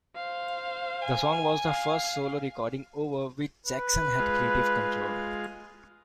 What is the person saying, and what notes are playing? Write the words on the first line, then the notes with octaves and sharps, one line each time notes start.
The song was the first solo recording over which Jackson had creative control.
C5 F5
G#5
F5 C7
B4
G#3 F4